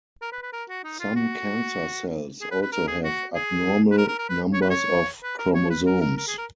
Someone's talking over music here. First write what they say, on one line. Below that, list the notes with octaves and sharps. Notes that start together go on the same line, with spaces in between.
Some cancer cells also have abnormal numbers of chromosomes.
A#4
B4
B4
A#4
F#4
D#4
F4
F#4
G#4
B4
B4
A#4
G#4
F#4
G#4
B4
A#4
A#4
A#4
B4
C#5
B4
C#5
B4
A#4
C#5
B4
A#4
A#4
A#4
G#4
A#4